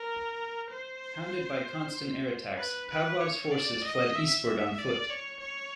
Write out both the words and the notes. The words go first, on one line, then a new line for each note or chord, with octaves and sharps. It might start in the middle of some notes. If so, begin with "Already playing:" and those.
Hounded by constant air attacks, Pavlov's forces fled eastward on foot.
Already playing: A#4
C5
B4
B4
C#5
D5
D#5
E5
E5
D5
C#5
C#5